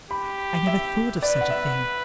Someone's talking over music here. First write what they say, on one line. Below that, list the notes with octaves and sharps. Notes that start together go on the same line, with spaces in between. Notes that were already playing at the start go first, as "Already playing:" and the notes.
'I never thought of such a thing.'
G4 B5
E5
B4 D5
F#5
E5